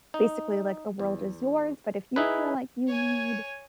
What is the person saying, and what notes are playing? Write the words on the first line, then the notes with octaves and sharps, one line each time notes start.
"Basically, like the world is yours, but if you feel like you need
D#4
E2
D#4 E4 G#4 B4
C#5 G#5